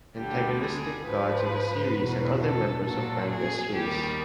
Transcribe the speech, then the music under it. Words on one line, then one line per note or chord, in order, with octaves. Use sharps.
Antagonistic gods of the series and other members of Ranga's race.
D2 D3 G3 G4
G#4
G#2 F3 B4
E2 B2 F#3
A4
A#2 F#3 A4
G#4
D#2 D#3 G3 G4